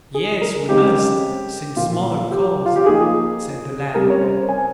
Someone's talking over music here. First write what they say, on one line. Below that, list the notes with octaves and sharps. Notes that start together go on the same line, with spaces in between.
'Yes, we must, since mother calls', said the lad.
G#4
A#4
C#3 G#3 C4 D#4 G4
A#2 F3 A#3 F4
G4
F4
G4
F3 A#3 D#4 G#4
C3 G3 C#4 A#4
C#5
C5
G#5